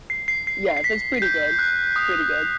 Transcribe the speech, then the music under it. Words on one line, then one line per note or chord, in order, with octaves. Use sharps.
Yes, so, it's pretty good. It's pretty good.
C7
C7
C7
C7
B6
G6
F#6
D#6